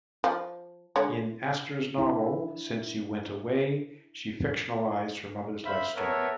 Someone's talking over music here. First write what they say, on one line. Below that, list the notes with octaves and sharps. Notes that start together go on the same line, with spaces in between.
In Astor's novel, "Since You Went Away", she fictionalized her mother's life story.
F3
D3 G#3 C#5
D4 E4
C5 E5 F5 B5
B3 A4 A#4 C#5 E5